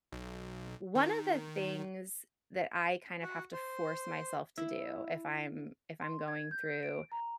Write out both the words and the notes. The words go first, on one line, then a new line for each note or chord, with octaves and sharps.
one of the things that I kind of have to force myself to do if I'm if I'm going through
B1
D#3
F#4
C5
E4
C6
G#6
G6
D7
A#5